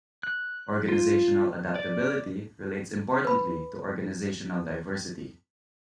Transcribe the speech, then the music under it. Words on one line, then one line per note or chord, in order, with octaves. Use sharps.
Organizational adaptability relates importantly to organizational diversity.
F#6
F4
D5
B4 B5